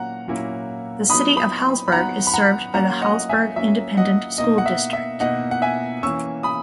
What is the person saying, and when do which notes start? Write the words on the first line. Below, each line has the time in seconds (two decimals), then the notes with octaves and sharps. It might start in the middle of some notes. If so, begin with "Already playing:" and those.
The City of Hallsburg is served by the Hallsburg Independent School District.
Already playing: A#2 F#3 A#3 C#4 F#5 A#5
0.28 A#2 F#3 A#3 C#4 E4
1.10 F#3 B3 D#4 B5 D#6
1.37 B5 D#6
1.88 B5
1.92 F#3 B3 D#4 F#5 A#5
2.27 B5
2.34 F#5 A#5
2.74 F#3 A#3 C#4 F#5 A#5
3.01 D#5 F#5
3.29 E5 G#5
3.56 F#3 A#3 C#4 E5
3.97 D#5 F#5
4.38 B2 A#3 D#4 D#5
4.58 F#5
4.66 E5
4.93 E5
5.20 B2 A#3 D#4 D#5 F#5
5.51 F#5
5.62 E5 G#5
6.03 E3 A#3 C#4 C#6 E6
6.43 B5 D#6